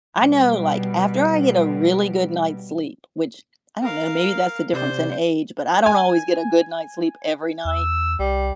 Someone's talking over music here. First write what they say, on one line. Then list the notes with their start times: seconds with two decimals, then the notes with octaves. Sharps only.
I know, like, after I get a really good night's sleep, which I don't know, maybe that's the difference in age, but I don't always get a good night's sleep every night,
0.18 B2 G3
3.82 A#4 F5
4.73 C3 C5 D5
5.86 G#5
7.65 E2 E6
8.19 C2 G3